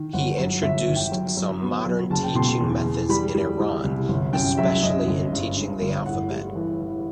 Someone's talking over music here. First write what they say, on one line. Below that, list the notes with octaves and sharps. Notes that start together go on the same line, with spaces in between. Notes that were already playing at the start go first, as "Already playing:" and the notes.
He introduced some modern teaching methods in Iran, especially in teaching the alphabet.
Already playing: D#3
G1 F#5
F#3
G1 E5
D#3
G5
F#3
F#3
B3
F#3
F#1 A5
G5
B2 C6
C6
E2
E2
G3 B5
G3
G3
C2
G1
F#2 G5
F#3 E5
F#2 D#5
G1
G2
G2
G1
A2 F#5
G3
E3
E3